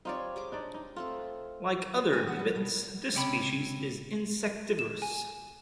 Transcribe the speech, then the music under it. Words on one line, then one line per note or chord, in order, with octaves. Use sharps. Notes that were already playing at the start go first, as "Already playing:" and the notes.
Like other pipits, this species is insectivorous.
C4 D#4 F4 G4 C#5 D5
G3 G#3 D6
D4 D#4 D5
D#4
A3 C4 F4 A4
F4
D2 G#3 G5 G#5
E3 B3 F#5
F3 G3 B4
B2 G3
C#2 C3 C#4 G5 B5
E7
G#5